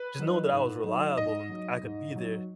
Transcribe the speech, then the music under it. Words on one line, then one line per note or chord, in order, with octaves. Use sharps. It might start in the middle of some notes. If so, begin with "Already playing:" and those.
just knowing that I was reliable and I could be there,
Already playing: B4
F#3 D#4
G#2
F#3 D#4
G#2 D#5
F#3 D#4
G#2
F#3 D#4